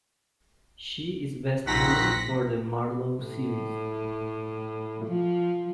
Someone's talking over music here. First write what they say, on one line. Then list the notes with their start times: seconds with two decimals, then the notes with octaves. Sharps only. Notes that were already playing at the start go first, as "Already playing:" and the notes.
She is best known for the Marlow series.
1.67 A#1 D#2 C4 F#5 A#6 B6
3.22 A2
5.06 F3